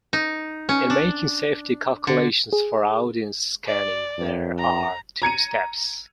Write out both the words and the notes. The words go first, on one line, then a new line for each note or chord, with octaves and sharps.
In making safety calculations for audience scanning, there are two steps.
D#4
C#4
D4
D3
G#4
D5
F2
A#5
A#5 G#6 C#7 D#7